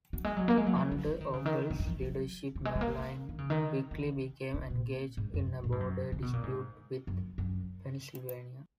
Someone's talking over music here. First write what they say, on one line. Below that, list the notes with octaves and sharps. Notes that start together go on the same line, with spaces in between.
Under Ogle's leadership Maryland quickly became engaged in a border dispute with Pennsylvania.
F#3
G#3
F#3
A#3
G#3
F#3
E3
F#3
E3
D#3
C#3
D#3
D#3
F#3
E3
F#3
F#3
G#3
G#3
A#3
G#3
D#3
C#3
D#3
D#3
C#3
A#2
G#2
F#2
A#2
G#2
F#2
C#3
B2
A#2
G#2
F#2
F#2